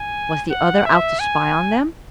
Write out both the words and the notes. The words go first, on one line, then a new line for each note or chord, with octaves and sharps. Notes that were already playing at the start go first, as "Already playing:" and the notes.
Was the other out to spy on them?
Already playing: G#5
F#5
E5
G#5